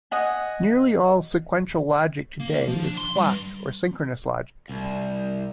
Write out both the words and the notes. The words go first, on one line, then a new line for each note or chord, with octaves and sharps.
Nearly all sequential logic today is "clocked" or "synchronous" logic.
D#5 F#5 G#5
A#3
F3
D4
C6
G2
C2